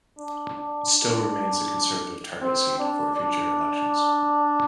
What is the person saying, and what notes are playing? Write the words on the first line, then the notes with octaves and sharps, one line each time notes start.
It still remains a Conservative target seat for future elections.
D4
D4
D4
C4
D4
D4